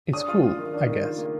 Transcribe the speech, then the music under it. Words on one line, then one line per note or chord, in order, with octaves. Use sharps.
It's cool-I guess.
D4 D#6
F4
F4
D#3
D4
D#3
F4
A#3